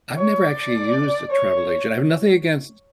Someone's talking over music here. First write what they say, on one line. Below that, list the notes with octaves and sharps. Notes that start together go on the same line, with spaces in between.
I've never actually used a travel agent. I have nothing against,
C#5
D5
C#5